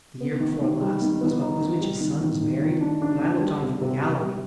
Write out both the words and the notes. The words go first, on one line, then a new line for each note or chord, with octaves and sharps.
The year before last, Kuzma Kuzmitch's son was married and I looked on from the gallery.
B3
D#3
D#3
G3
D#3
B3
D#4
D#3
G3
D#3
D#3
D#3
D#3
D4
D4
D4
G3
C3
C3
C3
G3